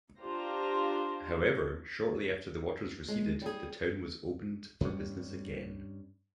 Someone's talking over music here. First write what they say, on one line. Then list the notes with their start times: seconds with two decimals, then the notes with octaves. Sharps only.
However, shortly after the waters receded the town was opened for business again.
0.20 D4 F4 G4 C5 A#5
3.08 G#3
3.42 G3 G#4
4.81 G2 G3 C#4